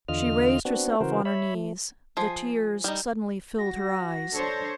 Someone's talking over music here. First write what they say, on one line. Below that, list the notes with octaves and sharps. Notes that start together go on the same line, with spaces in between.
She raised herself on her knees; the tears suddenly filled her eyes.
E2 D3 F4 D#5 F6
B3 C4 D4 F#4
C#3 E3 F#4 A#4 C5
C#5 E5 B5
A3
F3 G#4
G3 D#4
F#4 A#6
D4 A4 C5 C#5